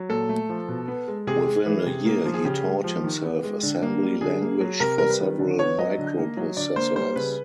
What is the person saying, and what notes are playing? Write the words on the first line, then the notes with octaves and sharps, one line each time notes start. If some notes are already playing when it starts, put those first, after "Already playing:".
Within a year he taught himself assembly language for several microprocessors.
Already playing: F#3
A#2 A4
A3
F3
B2
B3
G#3
C3 G#4
G#3
E3
C3
A#3
F3
G#4
C#3 G4
G#3
F3
D#3
B3
G#3
D3
A#3
G3
D3 G#4
A#3
F#3
C3 A#4
G3 A#4
B4
D#3
D3
B3 C#5
F#3 D#5
D3
A#3
F#3
D3 D5
A#3 C5
G3 C5
C#3 B4